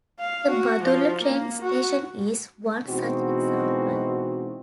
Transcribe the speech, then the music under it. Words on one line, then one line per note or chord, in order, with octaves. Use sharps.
The Badulla train station is one such example.
F5
F#4
F3
A#3
F#4
B2 E3 G#3 C4 D#4 F#4